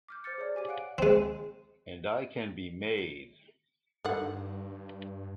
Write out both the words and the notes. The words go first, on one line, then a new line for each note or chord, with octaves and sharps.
And I can be made!
D6 F6 G6
C5 D6 F6 A6 C#7
G#4 C#5 D5
G4 G#5 D6 D#7
F5 F#5 F#6 D7
G#3 C4
G2 D3 D#3 F#5